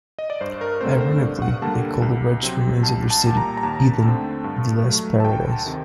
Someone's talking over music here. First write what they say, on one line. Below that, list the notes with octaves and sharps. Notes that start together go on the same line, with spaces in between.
Ironically, they called the wretched remains of their city Eden- the last paradise.
D#5
D5
G2 C5
A#4
D3 A3 C4 C5
A#4
C5
G2 D5
F#5
D3 G3 A#3 A5
C2
C3 F#3 C4
C2 A5
A5
A#2 G3 A5
A#5
A#5
D#2 A5
D3 A3 C4
G2
F#3
A3
A5
D2 G5
A5
C3 D#3